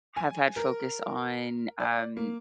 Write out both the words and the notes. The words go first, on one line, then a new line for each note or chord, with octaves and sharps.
have had focus on, um,
G#5
A#4
D5
A#3